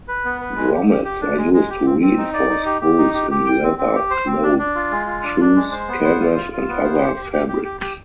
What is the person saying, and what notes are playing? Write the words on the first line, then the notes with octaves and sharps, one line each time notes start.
Grommets are used to reinforce holes in leather, cloth, shoes, canvas and other fabrics.
B4
B3
B4
G#3
G4
G4
G4
D4
G#3
G#3
G4
C4
C4
D#4
D5
D#4
G4
G4
D#4
G4
G4
G5
C4
C4
G4
C5
C4
D4
D4
F4
G#3
F4
D4
D4
G#3
C5
B3
C5
F4
F4
F4
B3
C5
G4
G4
G4
G4
G4
G4